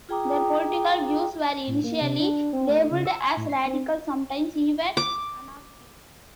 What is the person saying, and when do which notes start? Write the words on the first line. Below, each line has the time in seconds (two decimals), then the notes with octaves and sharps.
Their political views were initially labeled as radical, sometimes even anarchic.
0.09 F4 G#4 G5 A#5 D6 D#6
1.67 A2
1.84 A#3
2.01 C3
2.20 D4
2.53 C4
2.69 A3
2.91 C#3
3.06 E6
3.20 G#5
3.37 A2
3.49 C7
3.66 C4
4.97 D6